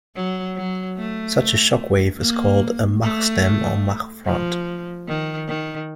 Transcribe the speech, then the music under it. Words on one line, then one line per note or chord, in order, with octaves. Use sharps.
Such a shock wave is called a Mach stem or Mach front.
F#3
F#3
A3
A#3
A3
F3
D#3
D#3